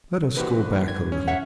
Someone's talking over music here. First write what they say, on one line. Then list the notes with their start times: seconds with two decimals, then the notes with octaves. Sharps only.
Let us go back a little.
0.37 D3 E3 A#3 D#4 F#4 G4 B4 C5
0.88 G2 G#6
1.12 C#4
1.27 C#5 E5 F#5